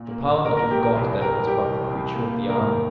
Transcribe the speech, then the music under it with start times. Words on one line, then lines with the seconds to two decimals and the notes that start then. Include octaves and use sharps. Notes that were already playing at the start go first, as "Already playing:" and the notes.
The Parliament forgot that it was but the creature of the army.
Already playing: A#2
0.11 A#3
0.28 A#1
0.45 A#1 A#4
0.57 A#4
0.62 A#2
0.71 G4
0.79 A#1 A#4
0.96 C2 G4
1.12 C2
1.21 A#4
1.30 C2
1.47 G3 G4
1.64 C2
1.81 C2
1.98 C2
2.15 A#3
2.32 A#3
2.49 C2 A#4
2.65 D#3